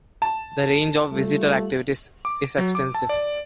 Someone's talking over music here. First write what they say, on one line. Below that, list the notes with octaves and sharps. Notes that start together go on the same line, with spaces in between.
The range of visitor activities is extensive.
A5
G3 A3 F4
D6
F#3
D6
A5
D5